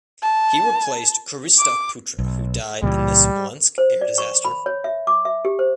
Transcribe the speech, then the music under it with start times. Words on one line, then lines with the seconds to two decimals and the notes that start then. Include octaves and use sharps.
He replaced Krzysztof Putra who died in the Smolensk air disaster.
0.22 A5
1.58 D6
2.19 B1
2.82 C#2 A#2 E3 G3
3.78 C5
4.01 D5
4.18 C#6
4.45 B5
4.66 C#5
4.84 E5
5.07 D6
5.25 E5
5.45 G4
5.59 C5